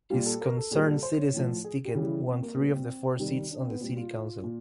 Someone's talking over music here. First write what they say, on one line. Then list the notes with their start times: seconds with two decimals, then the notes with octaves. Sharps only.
His Concerned Citizens ticket won three of the four seats on the city council.
0.10 A#2 G3 F4
0.25 A4
0.41 A#4
0.57 A4
0.71 A#2 G3 G#4
0.87 A4
1.03 C5
1.18 C#5
1.33 A2 F3
1.64 G#4
1.85 G4
1.95 C#3 E3 G3 G4
2.06 E4
2.27 C4
2.42 A#3
2.57 A#2 G3 B3
2.73 C4
3.19 C3 D#3 G3
3.51 D4
3.61 C4
3.70 B3
3.80 A#2 G3 C4
3.97 F4
4.43 A#2